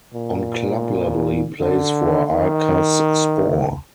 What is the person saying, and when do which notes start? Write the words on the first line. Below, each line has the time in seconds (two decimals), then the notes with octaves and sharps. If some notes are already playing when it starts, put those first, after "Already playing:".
On club level he plays for Arkas Spor.
0.15 A#2
1.60 D3
2.32 D#3